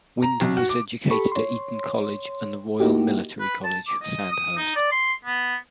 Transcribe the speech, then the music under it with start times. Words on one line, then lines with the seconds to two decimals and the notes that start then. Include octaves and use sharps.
Wyndham was educated at Eton College and the Royal Military College, Sandhurst.
0.22 A#5
0.41 B1
0.57 F#4
0.69 D6
1.11 G4 A4 B5 C#6
1.32 C#5 C6
2.80 A#3 D#4 E4 F#4 G4
3.40 B4
3.64 A5
3.87 D6
4.02 D#5
4.31 D#6
4.57 D#4
4.75 D5
4.92 C6
5.24 B3